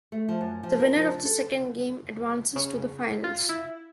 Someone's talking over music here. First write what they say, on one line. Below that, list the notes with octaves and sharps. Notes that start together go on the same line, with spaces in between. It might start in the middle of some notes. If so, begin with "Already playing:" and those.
The winner of the second game advances to the finals.
A3
F3
F#2
F3
A#4
F3
D4
A4
C#3
F4
E4